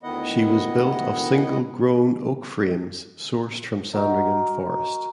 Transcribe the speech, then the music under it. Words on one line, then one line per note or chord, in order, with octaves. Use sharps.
She was built of single grown oak frames sourced from Sandringham Forest.
D2 D#3 B3 E4 D#5 F#5
D#4 F#4 A#4